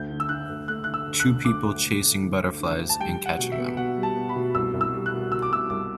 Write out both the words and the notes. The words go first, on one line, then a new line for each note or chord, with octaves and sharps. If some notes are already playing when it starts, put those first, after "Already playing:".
Two people chasing butterflies and catching them.
Already playing: D2 G6
D3
E6
D3 F#6
D2
A3 F#6
D3 F#6
E6
D2
F#6
D2
D2 D6
D2
D2
A3
D3
D2
D3
D2
A5
G3 G5
G3
F#5
B2
E5
B3
B2 F#5
G3
A5
B3
B5
B2
C2 E6
C2
E6
G3
F#6
B2
B2 E6
D6
B2 E6
C2 D6